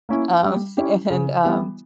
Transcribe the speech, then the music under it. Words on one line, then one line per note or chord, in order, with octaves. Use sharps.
um, and, um,
A#3 C#4 E4
G3
C#4 E4 G4
C#3
E3 G3 B3 E4